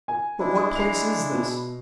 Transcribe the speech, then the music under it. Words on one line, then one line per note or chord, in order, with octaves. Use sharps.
"But what place is this?"
G#5
G#3 D4 E4
C7 F7
B2